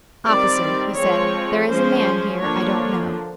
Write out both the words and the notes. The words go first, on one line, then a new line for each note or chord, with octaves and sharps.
"Officer," he said, "there is a man here I don't know."
D#3 G3 C4 D5
F3 G#3 C4 C#5
F3 G#3 C#4 C5
D3 F3 A#3 D4 C#5